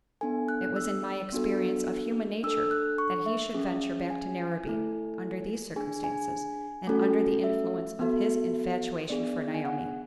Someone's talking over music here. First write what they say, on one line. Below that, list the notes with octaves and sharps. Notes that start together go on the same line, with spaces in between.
It was in my experience of human nature that he should venture back to Narrabee under these circumstances, and under the influence of his infatuation for Naomi.
B3 D4 A4 G#5
F#6
E6
B3 D4 F#4 A4
D4 A4 E6
F#6
C#6
E5
C#4 G#4
G#5
A3 E4 A4
D4 G#4 G#5
G#5
A3 C#4 F#4 A4
E5
B3 F#4 A4
B3 D4 G#4 D5
G#5
F#5